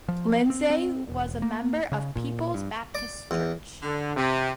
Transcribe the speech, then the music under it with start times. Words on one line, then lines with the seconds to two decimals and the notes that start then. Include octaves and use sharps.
Lindsay was a member of People's Baptist Church.
0.08 F3
0.50 C4
0.70 C4
1.10 E1
1.42 A#3
1.92 C#3
2.15 A#2
2.54 G2
2.95 D5
3.31 E2
3.83 D3
4.16 C3